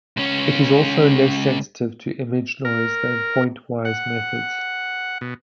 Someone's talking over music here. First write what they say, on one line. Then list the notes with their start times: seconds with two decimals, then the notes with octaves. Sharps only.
It is also less sensitive to image noise than point-wise methods.
0.17 C#2 C#4
2.65 A#4
3.85 F#5
5.21 B2